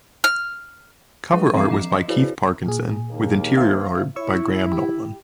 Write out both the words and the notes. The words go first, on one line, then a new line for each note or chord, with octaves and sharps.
Cover art was by Keith Parkinson, with interior art by Graham Nolan.
F6
F3 G#3 G#4 B4 C#6 D#7
E3 C4 E5 F5 C7
F3 A#5 D6 C7 E7
D#5
E4 F#4 G#4 B4 C5 D5
A#2 G#4
D#2 A#3
C5 E5 F5
E4 C#5 C#6 E6
G4